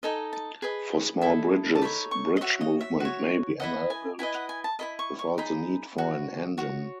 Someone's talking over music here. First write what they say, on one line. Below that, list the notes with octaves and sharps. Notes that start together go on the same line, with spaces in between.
For small bridges, bridge movement may be enabled without the need for an engine.
D#4 A4 D#5 G#5
A5
G#4 B4 D#5
E4 A4 D#5
A5
D#4 A4 C#5 B5
C#6
D#5
F#4 C#5 E5
D#5
E5
F#4 C#5
E4 B4 D#5 F#5
G#5
E4 B4 D#5 G#5
F#5
G#5
A5
E4 A4 D#5 B5
C#6
C#6
D#4 G#4 D#5 B5
F#4 C#5
F#4 C#5